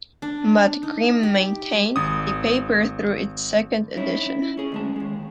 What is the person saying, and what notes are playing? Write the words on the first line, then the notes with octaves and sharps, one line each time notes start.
Matt Griem maintained the paper through its second edition.
D4
D#4
G4
G#1 D#6
C#4 D#4 E4 C#5
E4
C#4 G#4
D2 G#3 A5
D#2 G#3